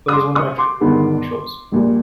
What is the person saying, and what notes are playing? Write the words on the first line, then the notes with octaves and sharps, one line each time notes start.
that was one of my favorite cartoon shows.
D#6
C6 D6
C#6 D#6
C6 D6
G1 G2 D#3 G#3 B3
A#1 A#2 G3